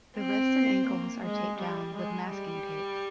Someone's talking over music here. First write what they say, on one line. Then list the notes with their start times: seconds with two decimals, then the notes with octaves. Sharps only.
The wrists and ankles are taped down with masking tape.
0.17 C4
0.88 A#3
1.24 G#3
1.59 G3
1.95 G#3
2.30 G3